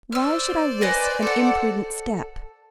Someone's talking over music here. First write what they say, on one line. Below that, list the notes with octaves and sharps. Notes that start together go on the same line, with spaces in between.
Why should I risk an imprudent step?
C5 D5 E6 F6
B4 D#5 G#5
A4 F#5